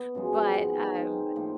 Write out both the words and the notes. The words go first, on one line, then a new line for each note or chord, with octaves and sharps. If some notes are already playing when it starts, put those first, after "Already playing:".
but, um,
Already playing: B3
F#2 C#3 F3 G#3
D#3 G#3 B3
D#3 G#3 C4 D#4
A2 F3 A#3